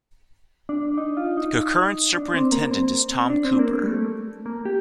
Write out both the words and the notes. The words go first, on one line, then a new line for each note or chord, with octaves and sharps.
The current Superintendent is Tom Cooper.
D4
D#4
F4
D#4
D4
C4
A#3
C4
D4
C4
A#3
A#3
G3
A3
A#3
G4